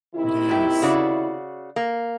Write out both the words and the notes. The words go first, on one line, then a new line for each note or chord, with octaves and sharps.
It is.
C3 D#3 E4
A#2 G4
C#3 F#4 D5
A#3